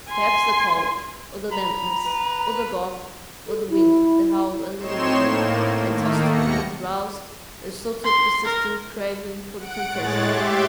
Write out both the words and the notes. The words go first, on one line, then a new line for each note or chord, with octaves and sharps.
Perhaps the cold, or the dampness, or the dark, or the wind that howled under the window and tossed the trees roused a sort of persistent craving for the fantastic.
G#5 C6
A#5 B5
B4
A4
E4
A2 C4 D#4 C#5 C6 E7
A2 A#3
D#3 A3 A#3
D#2 B2 A#6 C#7
C6
A#4
F#5 D7
A2 G#3 C#5 F#6 A6
G4 E5 C6 D6